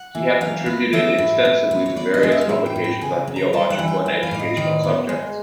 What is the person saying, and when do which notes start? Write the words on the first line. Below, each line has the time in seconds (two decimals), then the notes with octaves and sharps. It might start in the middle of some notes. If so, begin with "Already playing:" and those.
He had contributed extensively to various publications on theological and educational subjects.
Already playing: F#5
0.15 E3
0.41 F#3 F5
0.66 B3
0.93 F3 E5
1.18 A2
1.45 A2
1.71 B3
1.86 C#5
1.96 B3 D5
2.14 D#5
2.23 G#3
2.32 E5
2.41 F5
2.49 A2 E5
2.66 G5
2.76 A2
2.84 G5
3.01 C#3 G#5
3.28 F#3
3.36 A#5
3.53 G3 A5
3.70 F#5
3.79 E3
3.88 G5
4.06 A2
4.23 F5
4.31 A2 D5
4.40 D#5
4.57 D#3 D5
4.83 B3
5.09 G#3